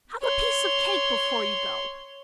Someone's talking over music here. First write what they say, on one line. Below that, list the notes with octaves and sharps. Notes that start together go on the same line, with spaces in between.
Have a piece of cake before you go!
C#5 C6